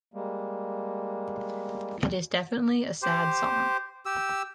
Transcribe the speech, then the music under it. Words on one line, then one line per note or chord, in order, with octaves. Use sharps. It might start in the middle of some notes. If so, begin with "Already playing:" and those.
It is definitely a sad song.
G3 G#3 A#3
G4 C5
G4 E6